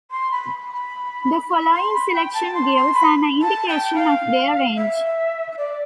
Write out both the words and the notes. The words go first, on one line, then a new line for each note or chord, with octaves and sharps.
The following selection gives an indication of their range.
C6
B5
B5
B5
C6
B5
G5
A5
C6
C6
B5
A5
G5
G5
F5
E5
D5